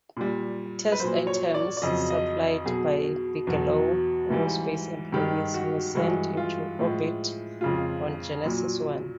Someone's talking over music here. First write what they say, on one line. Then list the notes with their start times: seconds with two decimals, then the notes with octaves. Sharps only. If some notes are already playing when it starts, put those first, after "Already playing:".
Test items, supplied by Bigelow Aerospace employees, were sent into orbit on Genesis One.
0.17 A#2 G3
0.92 B4
0.99 A#2 F#3 C5
1.27 C#5
1.54 D5
1.77 D5
1.82 F2 C#3 F#3 D#5
2.10 D#5
2.64 B2 F#3 G#4
3.47 E2 B2 F#3
4.30 G#2 E3 G3
5.12 G2 D#3 G#3 G4
5.54 F#4
5.95 G2 E3 G#3 F#4
6.37 F4
6.79 A2 F3 G#3
7.61 F2 C#3 F3 G#3 F4
8.43 A#2 F#3